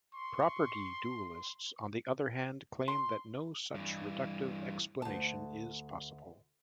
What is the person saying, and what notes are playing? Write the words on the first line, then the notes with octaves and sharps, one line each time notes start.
Property dualists, on the other hand, claim that no such reductive explanation is possible.
C6 C#6
C6
G2 E3
D2 A5